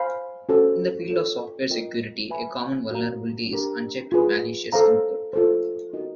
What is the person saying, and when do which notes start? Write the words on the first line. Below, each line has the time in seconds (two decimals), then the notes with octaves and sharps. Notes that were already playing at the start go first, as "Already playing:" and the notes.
In the field of software security, a common vulnerability is unchecked malicious input.
Already playing: C5 F5 G#5 B5
0.49 C#4 F#4 A4 C5
1.10 F4 A4 C#5
1.70 F4 A#4 D#5 G5
2.30 B4 E5 G#5 B5
2.91 F#4 A#4 D5 F5 A#5
3.51 D4 G4 A#4
4.12 F4 G#4 B4
4.72 A4 C5 F5 A#5
5.33 F4 A4 C5
5.93 D#4 F#4 A#4 D#5